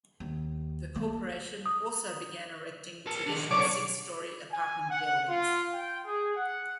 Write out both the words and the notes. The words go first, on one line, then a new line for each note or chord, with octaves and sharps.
The corporation also began erecting traditional six-story apartment buildings.
D#2
A#3
D#6
A#4 A5
D#3 D4
B1 D3 C#5 D5 D6
G#5
F#5
F4
G5
G#4
F#5